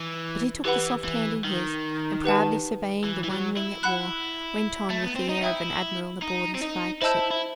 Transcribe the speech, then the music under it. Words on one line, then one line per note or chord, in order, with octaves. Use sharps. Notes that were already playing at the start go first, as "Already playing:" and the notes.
But he took the soft hand in his, and proudly surveying the one ring it wore, went on with the air of an admiral aboard his flagship.
Already playing: E3
E3 G4 B4 F#5 B5
E3
D#3
G4 B4 F#5 A5
E3
E3
F#3
E4
F#5 B5 F#6
A3
B3
C4
D#4
E4 E5 G5 D#6 G6
D#4
C4
D#4
E4 C5 D#5 A5 E6 G6
E4